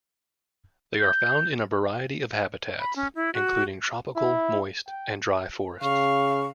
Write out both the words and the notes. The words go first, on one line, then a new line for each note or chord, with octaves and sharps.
They are found in a variety of habitats, including tropical, moist, and dry forests.
G6
B5
C#4
E4
F#4
E4
G5
C#3 F5 C#6